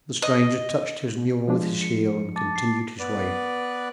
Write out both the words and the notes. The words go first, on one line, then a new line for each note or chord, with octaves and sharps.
The stranger touched his mule with his heel and continued his way.
D#5
F3 G#3 D4
C#7
A5 D6 A6
C7
B3 B4 D5